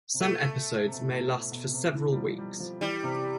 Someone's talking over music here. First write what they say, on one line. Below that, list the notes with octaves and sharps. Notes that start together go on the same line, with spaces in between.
Some episodes may last for several weeks.
C3
B2 A3
C3
B2
A2
B2
B2
C3
E3
G3
F3
G3
F3
E3 G3
C3